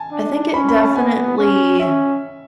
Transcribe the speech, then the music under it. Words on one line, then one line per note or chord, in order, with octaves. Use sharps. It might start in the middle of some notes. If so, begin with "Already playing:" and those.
I think it definitely
Already playing: G#5 A5
D4
C#4 B5
B5
A5
B3 G#5
C#4
C#4 E5